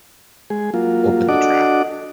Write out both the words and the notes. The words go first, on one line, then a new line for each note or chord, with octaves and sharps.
Open the trap.
G#3 G#4
F#3 A#3 F4
D4 F#4 A4 D#5 F#5 D6